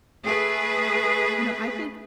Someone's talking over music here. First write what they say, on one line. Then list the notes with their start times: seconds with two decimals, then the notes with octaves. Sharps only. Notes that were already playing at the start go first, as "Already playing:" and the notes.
you know, I think
0.25 A3 G#4 B4